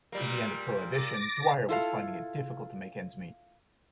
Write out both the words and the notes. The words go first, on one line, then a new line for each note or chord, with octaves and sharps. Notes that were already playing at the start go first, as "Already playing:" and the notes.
With the end of Prohibition, Dwyer was finding it difficult to make ends meet.
A#2 G3 A#3
D6 A6 A#6
E4 F4 A4 B4 F5